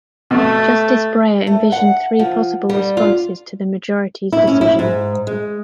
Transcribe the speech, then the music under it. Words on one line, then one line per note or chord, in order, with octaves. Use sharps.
Justice Breyer envisioned three possible responses to the majority's decision.
B2 A3
A3
F#5
F3
G3
F4
E4
C#4
E4
G#2
G#3